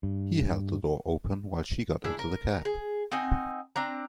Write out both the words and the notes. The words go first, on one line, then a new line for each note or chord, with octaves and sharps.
He held the door open while she got into the cab.
G2
D4 E4 G#4
A#4
G#4
C4 D#4 F#5 G#5
C4 D4 A#5